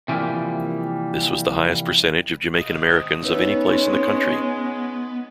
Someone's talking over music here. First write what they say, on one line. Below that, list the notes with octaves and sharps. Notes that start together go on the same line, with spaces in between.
This was the highest percentage of Jamaican Americans of any place in the country.
C3 E3 F3 G3 A#3
G#4 D#5 F5
D#3 C5
B3 C#4 D#4 B4 E5
G#3